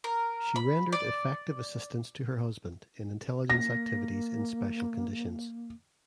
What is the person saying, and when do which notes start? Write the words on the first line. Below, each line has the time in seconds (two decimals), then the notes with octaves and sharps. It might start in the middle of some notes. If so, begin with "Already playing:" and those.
She rendered effective assistance to her husband in intelligence activities in special conditions.
0.04 A#4
0.56 B5
0.93 D5
3.50 A#3 A#6